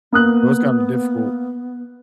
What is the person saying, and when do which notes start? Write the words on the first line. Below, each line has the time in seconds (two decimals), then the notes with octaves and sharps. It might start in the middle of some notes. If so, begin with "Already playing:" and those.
so it's, kinda, difficult,
0.12 A#3 B3 D#6 F#6